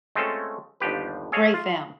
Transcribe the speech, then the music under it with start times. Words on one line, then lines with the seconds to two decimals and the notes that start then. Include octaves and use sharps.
Great film.
0.16 G#3 A3 C4 C#4 F4 A4
0.80 G1 D#2 F3 G4 B4
1.32 G#4 A4 C#5 D#5 F5
1.54 F4